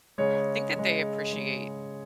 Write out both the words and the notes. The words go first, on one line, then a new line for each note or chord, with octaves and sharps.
think that they appreciate
C#3 G#3 C#5
C#3 G#3
C#3 G#3